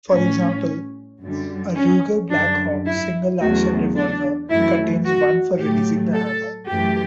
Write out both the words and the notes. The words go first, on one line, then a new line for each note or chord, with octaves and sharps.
For example, a Ruger Blackhawk single-action revolver contains one for releasing the hammer.
A2 G3 C#4
F#2 D3 G3
C#4
F#2 D3 G3 D4
E4
E2 C#3 F#3 A3 F#4
D4
F#2 E3 A3 E4
F#4
A2 F#3 A3 G4
A4
F#2 E3 A3 G4